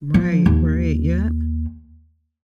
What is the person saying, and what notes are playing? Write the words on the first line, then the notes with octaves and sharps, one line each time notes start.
Right, right, yep,
F3
D#2